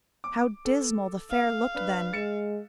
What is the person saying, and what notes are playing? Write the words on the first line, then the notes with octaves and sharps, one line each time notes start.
How dismal the fair looked then!
D6
A4
F5
D4 B4
G#3 A6 C#7 E7